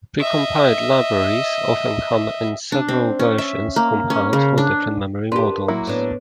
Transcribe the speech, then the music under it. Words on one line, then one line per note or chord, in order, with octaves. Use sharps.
Precompiled libraries often come in several versions compiled for different memory models.
D#5 E5
D4
C4
C#4
E5
A#3
C#4
C#3
D4
D4 G4 A#4 B4 C6
F#3 A#3 E4
A2 B3 D4 B4 C#5